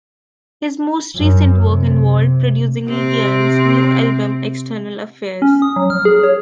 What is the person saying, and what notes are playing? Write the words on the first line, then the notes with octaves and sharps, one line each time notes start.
His most recent work involved producing Ligion's new album, "External Affairs".
F#2
C3
C3 C4
C#4
D#6
F#3
F6
G#4
C#5